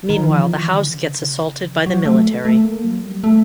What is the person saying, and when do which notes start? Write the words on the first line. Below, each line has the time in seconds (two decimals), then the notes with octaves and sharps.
Meanwhile, the House gets assaulted by the military.
0.10 D#3
0.29 F3
0.49 E3
0.68 D3
0.88 C#3
1.17 C3
1.27 C#3
1.66 F3
1.86 F#3
2.06 A3
2.45 A3
2.64 A#3
2.84 F#3
3.04 G3
3.24 A3